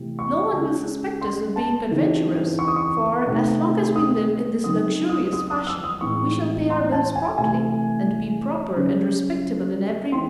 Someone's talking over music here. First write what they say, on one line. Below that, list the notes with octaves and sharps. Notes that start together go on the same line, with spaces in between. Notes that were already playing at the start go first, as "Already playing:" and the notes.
No one will suspect us of being adventurers, for as long as we live in this luxurious fashion we shall pay our bills promptly and be proper and respectable in every way.
Already playing: C3 E3 A3
C#6
C#3 G#3 C#4
C6
A5
C#3 E3 C4 D#4
C#6
D#6
C#6
C3 D#3 A3 C4
D#6
C#3 F#3 C4 D#4 D#6
D#6
D#6
D#6
E6
D#6
A2 E3 G#3 C4 C#6
C6
A5
G#5
C3 E3 A3 G#5
C#3 F#3 C#4
E3 G#3 C4 C6